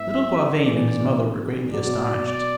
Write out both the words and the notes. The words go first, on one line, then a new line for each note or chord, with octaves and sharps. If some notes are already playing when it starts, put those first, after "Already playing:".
Little Gauvain and his mother were greatly astonished.
Already playing: G#2 G#3 B3 E4 B4 E5
E3 B3 D4 G#4 B4 D5
B2 F#3 B3 D5
D5